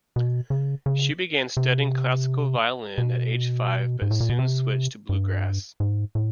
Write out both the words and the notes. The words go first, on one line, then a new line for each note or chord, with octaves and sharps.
She began studying classical violin at age five but soon switched to bluegrass.
B2
C#3
C#3
C3
B2
G#2
A2
A#2
B2
C3
G2
G#2
A2